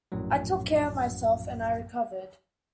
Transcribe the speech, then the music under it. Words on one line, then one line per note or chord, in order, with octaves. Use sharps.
I took care of myself and I recovered.
A#1 F#2 A2 F#3